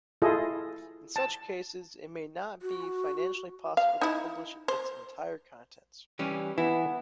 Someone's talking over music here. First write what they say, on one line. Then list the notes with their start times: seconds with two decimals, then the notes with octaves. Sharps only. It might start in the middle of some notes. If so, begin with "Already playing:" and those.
In such cases, it may not be financially possible to publish its entire contents.
0.22 E4 F4 G#4 A4 D#5
1.16 A5
2.62 F#4
3.77 F5
4.01 D#4 E4
4.68 C5
6.19 E3 G3 C#4
6.58 E3 B3 E4